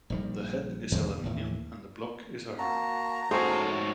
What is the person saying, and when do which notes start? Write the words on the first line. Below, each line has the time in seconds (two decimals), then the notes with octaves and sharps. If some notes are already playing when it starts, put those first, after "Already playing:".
The head is aluminium and the block is iron.
0.10 A#1 D#3 G3
0.92 E2 B2 D3 G#3
1.24 D#2 A2
2.59 A#3 F#4 A5 A#5
3.31 G#2 A3 C#4 F#4 G#4 C5 C#5 A5